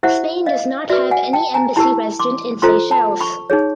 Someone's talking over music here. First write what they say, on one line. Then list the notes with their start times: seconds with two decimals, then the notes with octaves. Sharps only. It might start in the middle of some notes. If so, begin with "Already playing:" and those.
Spain does not have an embassy resident in Seychelles.
0.03 E4 G4 C5 E5 F#5
0.46 D#5 F5
0.90 F#4 B4 D5 E5
1.11 F#5 G#5
1.33 G5 A5
1.54 G#5 A#5
1.76 E4 G4 A#4 A5 B5
2.20 C6 D6
2.62 F4 A4 C5 A#5 C6
2.91 A5 B5
3.20 B5 C#6
3.50 D#4 G#4 C#5